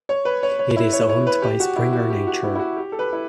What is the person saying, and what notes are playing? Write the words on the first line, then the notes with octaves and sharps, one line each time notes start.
It is owned by Springer Nature.
C#5
B4
C#5
C#5
E4
C#5
C#5
B4
G4
F#4
E4
F#4
G4
F#4
E4
E4
F#4
G4
A4
B4
E4